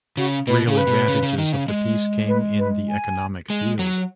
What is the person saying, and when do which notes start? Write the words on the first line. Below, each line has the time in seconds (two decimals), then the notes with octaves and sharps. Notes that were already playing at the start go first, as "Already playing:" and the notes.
Real advantages of the peace came in the economic field.
0.17 C#3 F#4
0.47 B2 B4
0.67 C#3 G#4
0.77 B4
0.87 B2
1.08 C#3
1.23 C#3
1.38 D#3
1.52 C#3
1.68 G#3
2.28 B4
2.59 B4
2.89 G#5
3.50 G#3
3.79 F#3